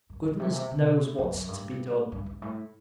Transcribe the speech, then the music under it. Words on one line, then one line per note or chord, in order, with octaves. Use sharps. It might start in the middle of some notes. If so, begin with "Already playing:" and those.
Goodness knows what's to be done.
G2
A#2
C3
A#2
C3
C3
A#2
A2
F#2
F#2
G2
G2
G2
A2